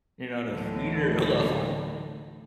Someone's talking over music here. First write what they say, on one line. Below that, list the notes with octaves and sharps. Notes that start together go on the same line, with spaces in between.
you're not a theater level.
D2 A2 D3 E3 F#3 D#4